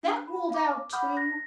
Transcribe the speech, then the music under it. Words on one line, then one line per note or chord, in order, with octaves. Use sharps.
That ruled out too?
D4
B5
F5 D6
F#5 B5 D6 D#6 F6 G6
F#6 A#6